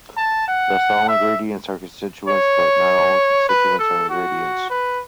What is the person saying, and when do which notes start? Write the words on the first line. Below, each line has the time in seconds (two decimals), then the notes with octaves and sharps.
Thus all ingredients are constituents, but not all constituents are ingredients.
0.17 A5
0.48 F#5
1.08 E5
2.28 C#5
3.49 B4
3.79 A4
4.09 F#4
4.70 B4